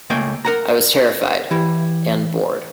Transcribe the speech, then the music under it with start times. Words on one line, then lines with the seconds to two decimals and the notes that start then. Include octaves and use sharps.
I was terrified -- and bored.
0.10 C#2 A3 A#3 F5 G5 G#5
0.45 A#4 F#5 A#5
1.51 E3 E4 G4